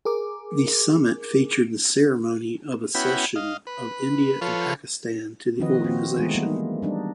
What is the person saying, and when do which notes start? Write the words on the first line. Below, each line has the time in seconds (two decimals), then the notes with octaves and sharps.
The summit featured the ceremony of accession of India and Pakistan to the organization.
0.05 G#4 A#4 D6
2.95 B3 C#4 E4 F#4 G5 B5
3.36 D#5 F5
3.67 B4
4.41 F3 F4 A4 B4 C#5
5.60 D#3 F3 C4 F#4 B4 D#5
5.84 C4 F#4
6.16 E3 G#3 A3 B3 D#4 G#4
6.35 G3 A#3
6.82 G3 D4 D#4